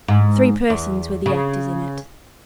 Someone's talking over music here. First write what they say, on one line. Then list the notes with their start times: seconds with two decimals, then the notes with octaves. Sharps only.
Three persons were the actors in it.
0.08 G#2
0.70 E2
1.26 C#3